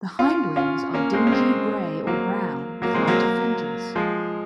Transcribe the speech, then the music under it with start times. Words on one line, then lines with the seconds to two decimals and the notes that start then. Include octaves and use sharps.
The hindwings are dingy grey or brown with lighter fringes.
0.19 C#4 F4
0.56 C#4 F4
0.94 A#3 C#4
1.13 G#3 C4
1.27 C#4
1.32 G#3 C4
2.07 F#3 A#3
2.82 F#3 A#3
2.94 G#3 C4
3.07 F#3 A#3
3.95 F3 G#3